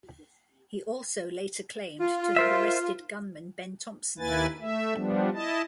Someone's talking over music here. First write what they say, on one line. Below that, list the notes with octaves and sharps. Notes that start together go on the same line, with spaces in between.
He also later claimed to have arrested gunman Ben Thompson there.
F4
A#4 C5 E5
D#2 A#3 E4 B4 G#5 A6
A3 E5
F3 G3 B3 D4
E4 D#5 A5